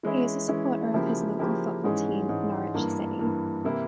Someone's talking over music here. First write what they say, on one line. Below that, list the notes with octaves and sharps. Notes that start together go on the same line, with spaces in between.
He is a supporter of his local football team Norwich City.
E3 G#3 C#4 E4
E3 G#3 C#4 E4
C#3 F3 A#3 E4 G4
C#3 F3 A#3 E4 G4
G#2 E3 G#3 C#4
G#2 E3 G#3 C#4
G2 E3 A#3
G2 E3 A#3
C3 E3 A#3 E4 G4